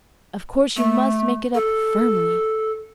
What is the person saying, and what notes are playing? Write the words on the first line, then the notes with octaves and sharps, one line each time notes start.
Of course, you must make it up FIRMLY.
A3
A4